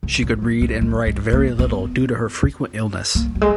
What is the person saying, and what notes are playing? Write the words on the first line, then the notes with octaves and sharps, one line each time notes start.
She could read and write very little due to her frequent illness.
C#3
C#3
F#3
G#3
G#3
G#3
A#3
B3
A#3
F#3
G#3